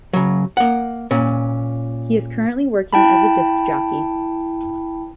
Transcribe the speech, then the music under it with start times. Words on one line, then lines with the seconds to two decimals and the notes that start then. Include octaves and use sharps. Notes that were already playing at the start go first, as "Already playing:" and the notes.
He is currently working as a disc jockey.
0.13 C#3 F#3
0.57 A#3 F#5
1.11 A#2 C#4
2.93 E4 G5 A5 B5